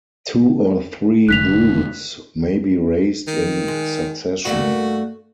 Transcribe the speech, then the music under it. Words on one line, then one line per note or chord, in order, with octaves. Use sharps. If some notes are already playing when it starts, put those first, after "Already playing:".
Two or three broods may be raised in succession.
F1 D3 G#3 F#6 B6 F7
D#3
G#3
G2 A3 A#3 F#4